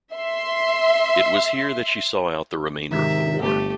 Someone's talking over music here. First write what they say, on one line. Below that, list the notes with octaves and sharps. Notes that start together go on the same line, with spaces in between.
It was here that she saw out the remainder of the war.
E5 C6
G#2 C3 D#3 E5
G1 A3 G4